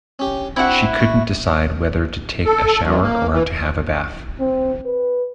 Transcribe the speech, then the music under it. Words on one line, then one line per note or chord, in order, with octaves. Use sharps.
She couldn't decide whether to take a shower or to have a bath.
C#4 G4
C4 D4 E4 F#4 F#5
F#4
A4
F#2
A#3
E3
C4
B4